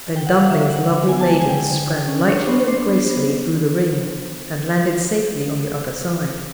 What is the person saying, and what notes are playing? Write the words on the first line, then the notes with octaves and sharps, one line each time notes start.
Then Dummling's lovely maiden sprang lightly and gracefully through the ring, and landed safely on the other side.
G5
F#5
F5
D3 E5
D3 F#5
D3
B3 G#5
A5
G#3 G#5
G#5
D3 G5
D3
D3
C#4
D4 C#5
B3 C5
D4 C5
B3
B3